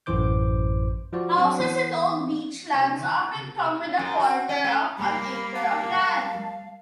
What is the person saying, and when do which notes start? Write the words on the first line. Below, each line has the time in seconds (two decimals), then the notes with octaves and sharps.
Houses in old Beachlands often come with a quarter of an acre of land.
0.06 A1 F#2 E3 C5 D6 G6
1.13 F3 F4 F#4 C5 D5
1.37 F#3 C4 D4 F#4
1.60 E3 B3
3.99 F#2
4.20 F#4
4.49 C#4
4.64 A3
4.98 G3 A#3 B5
5.55 F5 A5